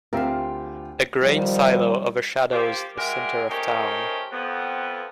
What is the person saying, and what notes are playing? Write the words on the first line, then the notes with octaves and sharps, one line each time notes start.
A grain silo overshadows the centre of town.
D2 C4 F4 G4 A#4 E5 F5
D#3 F3 G3
F3 A#3 G4
G3 G#3 F#4 A#4 D5 E5
A3 C#4 D#4 G4 A#4 C5
F2 B3